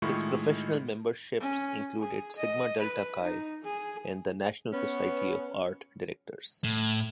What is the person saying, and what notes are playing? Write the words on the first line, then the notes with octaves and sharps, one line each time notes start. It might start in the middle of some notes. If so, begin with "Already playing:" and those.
His professional memberships included Sigma Delta Chi and the National Society of Art Directors.
A2 D#3 G#3 E4 F4 C#6
C#4
G#4
D#5
B4
D#4
G#4
B3 C#4
A2